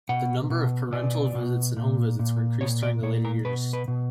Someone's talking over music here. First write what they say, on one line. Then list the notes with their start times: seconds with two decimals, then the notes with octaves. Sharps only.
The number of parental visits and home visits were increased during the later years.
0.09 B2 F#5
0.50 B2
0.93 B2 D5
1.35 B2
1.77 A#2
2.19 A#2
2.61 A#2 C#5
2.83 D5
3.03 A#2 C#5
3.25 A#4
3.45 B2 B4
3.73 B4
3.88 B2